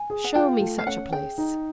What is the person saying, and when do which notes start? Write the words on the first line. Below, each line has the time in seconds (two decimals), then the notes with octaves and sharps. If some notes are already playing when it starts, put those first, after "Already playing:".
"Show me such a place!"
Already playing: G#5
0.10 G#4
0.24 F#5
0.35 F4 G5
0.61 A3
0.79 F5
0.86 C#4 F#5
1.12 G#4 G5
1.38 D#4